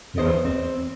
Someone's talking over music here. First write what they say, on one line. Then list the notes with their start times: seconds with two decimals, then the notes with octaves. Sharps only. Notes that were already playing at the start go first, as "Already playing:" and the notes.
you know?
0.18 E2 C5 D#5
0.45 C4